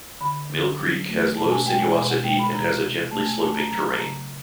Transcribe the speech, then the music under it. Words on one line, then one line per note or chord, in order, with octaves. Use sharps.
Mill creek has low sinuosity and has a gently sloping terrain.
D3 B5
D3
F#3
A3
B2 A5
G#5
G#3 G5
G#5
B2
F#5
G#3 G5
B5
C3 A#5
C3
A3 A5
G#5
A3 A5
A#5
F#3 A#5
A5
C#3 A#5